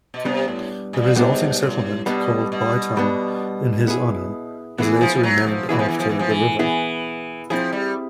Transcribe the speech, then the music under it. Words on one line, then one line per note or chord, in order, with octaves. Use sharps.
The resulting settlement, called Bytown in his honour, was later renamed after the river.
B2
C3 G3 B3 D4
A2
A#2
G#2 G3 B3 D4
A2
B2 G3 B3 D4
B2
G3 B3 D4
B3 E4 G#4
E3 B3 E4 G#4
F3
F3
F#3
F3
E3 B3 E4 G#4
F3
E3
F3
E3
F3
E3
E3 B3 E4 G#4
F3 C4 E4 G#4
G3